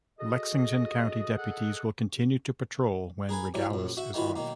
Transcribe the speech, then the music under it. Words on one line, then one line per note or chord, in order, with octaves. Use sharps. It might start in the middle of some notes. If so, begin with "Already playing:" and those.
Lexington County deputies will continue to patrol when Regalis is off.
F#4 G#4 A4 D#5
G#4 A4 D#5 F#5
G#4 A#4 B4 G#5
G2 E3 F#3
A#1 F#2
F#4 E5 F#5
D#3 E3 F4 F#4 B4
B1 D#3 A#3